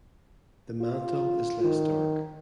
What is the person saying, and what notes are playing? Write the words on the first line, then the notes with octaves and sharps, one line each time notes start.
The mantle is less dark.
F4
D#3